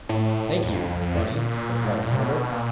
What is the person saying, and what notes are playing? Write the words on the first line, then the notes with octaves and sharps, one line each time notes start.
"Thank you, my bunny," said Private Hornabrook.
A2
E2
F2
F2
A2
A#2
G#2
A2
A#2
C3
B2
A#2